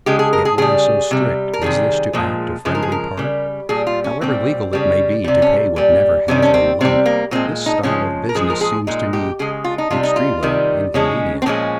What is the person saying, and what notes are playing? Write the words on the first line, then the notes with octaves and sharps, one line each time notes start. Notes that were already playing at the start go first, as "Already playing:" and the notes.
Yet why so strict? Is this to act a friendly part? However legal it may be To pay what never has been lent, This style of business seems to me Extremely inconvenient!
C#3 G#3 G4
G#4
A#4
G#4
C#3 G3 G#4
C3 G3
A#4
C3 D#3 G3 G#4
A#2 F3 G#3
C#3 F3 G#3
A#4
G#4
A#4
C#3 G3
A#2 G3 G#4
F4
C#4
A#2 G3 C4
C#3 G3
C3 G3
C#4
A#2 G3
C3 D#3 G3 C#4
C#4
C4
C3 G3 C4
A#3
A#2 G#3 C4
D#4
C#3 F3 G#3 C#4
A#4
A#2 F3 G#3 G#4
A#4
G#4
A#2 G#3 D#4
G4
C#3 G#3 G#4
F4
D#4
C3 G3 F4
D#4
F4
C3 D#3 G3
C#3 G#3 C#4
C4
A#2 F3 G#3 C#4